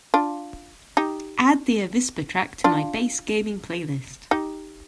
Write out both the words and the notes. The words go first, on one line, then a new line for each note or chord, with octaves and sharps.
Add the avispa track to my Bass Gaming playlist.
D4 F4
D#4 G4
D4 F4
D#4 G4